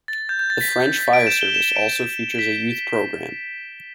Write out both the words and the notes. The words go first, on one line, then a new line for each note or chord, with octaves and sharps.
The French fire service also features a youth program.
A6
G6
G6
A6
B6
D7
E7
G7
E7
D7
B6